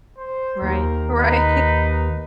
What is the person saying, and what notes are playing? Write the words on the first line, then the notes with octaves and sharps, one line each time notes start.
Right. Right.
C5
D#2 A#4
D#4 B4